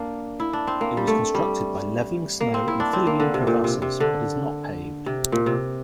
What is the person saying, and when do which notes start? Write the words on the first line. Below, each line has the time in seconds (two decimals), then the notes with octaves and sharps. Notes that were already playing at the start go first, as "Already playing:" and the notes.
It was constructed by leveling snow and filling in crevasses, but is not paved.
Already playing: A#3 D4
0.40 E4
0.53 D4
0.67 C4
0.81 A#3
0.97 G3
1.07 A3
1.35 G3
2.41 A#3
2.54 C4
2.68 E4
2.80 D4
2.93 C4
3.07 A#3
3.20 D3
3.34 C3
3.47 A#2
3.64 C3
3.82 C3
4.00 D3
5.06 C3
5.32 A#2
5.46 C3